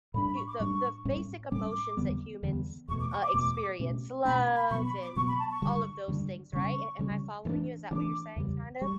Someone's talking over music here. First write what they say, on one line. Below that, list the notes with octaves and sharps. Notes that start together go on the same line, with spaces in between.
hu the the basic emotions that humans, uh, experience, love and all of those things, right, am am I following you? Is that what you're saying kind of?
A2 G3 D4 B5
B5
C#6
D6
A2 G3 D4 C#6
A2 G3 C#4
A2 G3 C#4 D6
E2 D3 G3 B3
E2 D3 G3 B3
E2 B2 A3 C#6
D6
C#6
D6
E2 B2 A3 D6
B2 A3 C#4
B2 A3 C#4 B5
B5
B2 F#3 B3 C#6
B5
D6
B2 F#3 B3 C#6
B5
A5
C#6
G2 D3 G3
G2 D3 G3
C#3 G3 C#4 C#6
C#3 G3 C#4
G2 E3 A3 D4
G2 E3 A3 D4 D6
E2 C#3 G3
G3 C#6